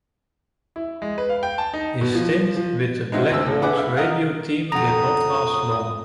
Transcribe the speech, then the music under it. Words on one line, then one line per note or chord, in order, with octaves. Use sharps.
His stint with the Blackhawks radio team did not last long.
E4
G#3
B4
F5
G5
A5
D#4
B2
F3
F3
F3
G#3 C4 D#4 E4 F#4
D2 C4 E6
A2
E4 G#4 B4 F#5 D6
E5 F5
F4 A#4 D#5 F5 F#5
F2 A3 F#5 A#5 D#6